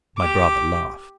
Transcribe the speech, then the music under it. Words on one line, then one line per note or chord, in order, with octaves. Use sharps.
My brother laughed.
G4 D6